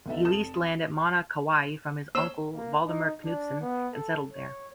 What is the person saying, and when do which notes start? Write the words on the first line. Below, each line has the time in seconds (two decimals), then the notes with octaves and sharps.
He leased land at Mana, Kauai from his uncle, Valdemar Knudsen, and settled there.
0.06 D2 B3 D#4 A4 E5
0.25 F1 A4 A5 D#6 E7
0.54 D#6
2.15 A#3 C5 C#5 E6
2.54 A#3
2.86 D#4
3.23 D4
3.61 B3
3.93 A4
4.33 C#5